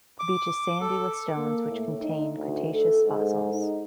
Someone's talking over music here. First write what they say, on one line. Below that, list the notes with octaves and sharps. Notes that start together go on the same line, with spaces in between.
The beach is sandy with stones which contain Cretaceous fossils.
D6
A4
A#3
A2
D#4
D2
A4
G#2
D#4